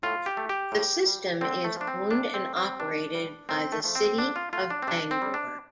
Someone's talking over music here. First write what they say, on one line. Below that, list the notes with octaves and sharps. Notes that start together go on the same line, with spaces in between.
The system is owned and operated by the City of Bangor.
A2 F4
G4
A3
G4
A2
G3
D3 C4
A3
F3 A3 D4
C4
C3 D4
C4
A3
C4
C3 D4
G3
A2 C4
A3
F3 A3
C4
D3 D4
F4
A3 F4
D4
C4
C3 D4
C4
G3
D4